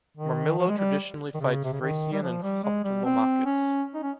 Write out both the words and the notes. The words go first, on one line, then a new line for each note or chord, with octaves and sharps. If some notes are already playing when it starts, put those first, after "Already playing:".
Murmillo traditionally fights Thracian and Hoplomachus.
D#3
F3
G#3
G3
D#3
C#3
C3
C#3
D#3
G3
F3
G3
G#3
G3
C4
C#4
D#4
C#4